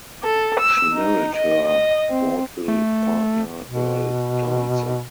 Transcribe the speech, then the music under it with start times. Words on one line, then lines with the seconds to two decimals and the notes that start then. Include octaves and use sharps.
She married her vaudeville partner Earl Dancer.
0.24 A4
0.59 E6
0.93 D#4
1.36 D#5
1.67 D#5
2.10 C4
2.68 A3
3.67 B2